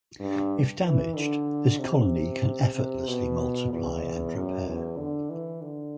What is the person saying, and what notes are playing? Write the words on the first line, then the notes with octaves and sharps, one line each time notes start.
If damaged, this colony can effortlessly multiply and repair.
G2
E3
D3
C3
C3
B2
E2
F#2
E2
D3
E3
D3